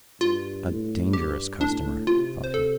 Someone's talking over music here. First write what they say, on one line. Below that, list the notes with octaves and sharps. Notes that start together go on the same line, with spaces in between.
"A dangerous customer," thought he.
G2 F4
A2
G2 G4
A2 D4
C3 F4
C5
A4